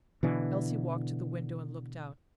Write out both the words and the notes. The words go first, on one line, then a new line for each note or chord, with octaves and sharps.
Elsie walked to the window and looked out.
B2 D3 E3